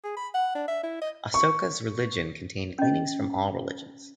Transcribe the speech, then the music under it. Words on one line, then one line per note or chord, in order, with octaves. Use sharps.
Ashoka's religion contained gleanings from all religions.
G#4
B5
F#5
D4
E5
E4
D#5
C#6
C#4 D#5